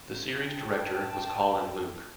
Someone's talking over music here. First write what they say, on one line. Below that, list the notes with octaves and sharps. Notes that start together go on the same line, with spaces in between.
The series director was Colin Luke.
G5 A5